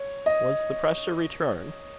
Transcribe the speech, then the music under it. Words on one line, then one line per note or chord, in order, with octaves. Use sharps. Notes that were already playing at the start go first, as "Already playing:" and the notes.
Was the pressure returned?
Already playing: C#5
D#5